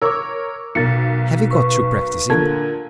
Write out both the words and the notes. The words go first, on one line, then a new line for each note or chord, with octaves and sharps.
Have you got through practising?
A#4 C#5 D6 E6
B1 B2 A#4 A6 C#7
B4 C#6
A#2 D3 A#4 A5 G#6